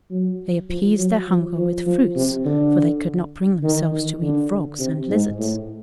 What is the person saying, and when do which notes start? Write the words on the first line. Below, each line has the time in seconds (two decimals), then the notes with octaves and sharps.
They appeased their hunger with fruits, for they could not bring themselves to eat frogs and lizards.
0.10 F#3
0.69 F3
0.98 F#3
1.28 F3
1.57 F3
1.86 F3
2.15 C3
2.45 D3
3.63 D#3
3.92 D#3
4.22 D3
4.79 C3
5.10 G#2
5.38 A2